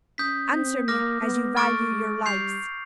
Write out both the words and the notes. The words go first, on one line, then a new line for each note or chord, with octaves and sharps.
Answer me, as you value your lives.'
C#4 D#6 G6 B6
C4
A#3 D6 F6 A#6
B3
A3 C#6 F6 A6 D7
G#3
G3 G6 C7 F7